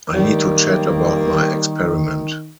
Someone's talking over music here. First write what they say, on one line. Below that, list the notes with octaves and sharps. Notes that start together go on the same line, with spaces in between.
I need to chat about my experiment.
D#3 G3 A#3